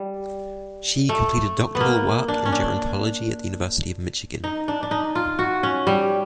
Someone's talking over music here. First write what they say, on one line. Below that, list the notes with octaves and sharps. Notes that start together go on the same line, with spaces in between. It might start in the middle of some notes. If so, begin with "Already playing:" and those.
She completed doctoral work in gerontology at the University of Michigan.
Already playing: G3
A3
B3
A#3
D4
C#4
D4
D#4
D4
D4
D#4
F4
F#4
C#4
G3